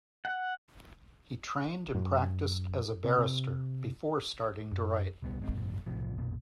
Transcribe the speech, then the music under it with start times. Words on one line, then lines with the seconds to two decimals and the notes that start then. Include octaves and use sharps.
He trained and practiced as a barrister, before starting to write.
0.25 F#5
1.95 F#2
3.04 C3
3.19 C3
4.72 F#2
5.22 D#1 C2 G3 B3
5.39 G#1 G#3 C4
5.55 G#1 F#2 A#2
5.86 B1 A2 C3 F3
6.17 A#1 F2 B2 A#3